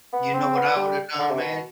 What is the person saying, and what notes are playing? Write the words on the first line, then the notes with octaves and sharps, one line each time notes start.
You know what I would have done, man?
B3
C4
B3
G3
D3
C3
B2